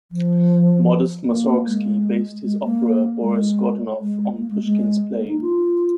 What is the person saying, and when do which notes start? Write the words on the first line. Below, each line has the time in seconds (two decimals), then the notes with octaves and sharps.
Modest Mussorgsky based his opera "Boris Godunov" on Pushkin's play.
0.11 F3
1.28 A#3
1.66 G#3
2.44 G#3
2.63 A#3
3.21 G#3
3.99 G#3
4.38 A#3
4.50 G#3
4.63 G#3
5.15 A#3
5.28 D#4
5.41 F4